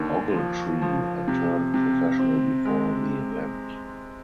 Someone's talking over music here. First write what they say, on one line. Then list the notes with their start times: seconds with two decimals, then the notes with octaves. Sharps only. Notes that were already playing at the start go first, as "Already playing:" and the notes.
Ogletree had turned professional before the event.
Already playing: D#2 D3
0.36 F3
0.82 F3
1.28 C3
1.74 C3
2.19 C4
2.65 G#3